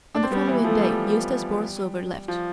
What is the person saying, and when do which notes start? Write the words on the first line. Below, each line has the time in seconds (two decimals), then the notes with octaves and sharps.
On the following day Eustace Borlsover left.
0.15 D4
0.23 C4
0.31 G3 B3
0.48 E3
0.64 F3 A3
0.81 G3
2.28 F3